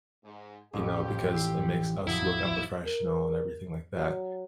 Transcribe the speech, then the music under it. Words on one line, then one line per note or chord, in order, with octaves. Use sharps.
you know, because it makes us look unprofessional," and everything like that,
G#2
A1 F2 G4
E3 E6 C7
F2 F3 F#3 E4
A#4
F#3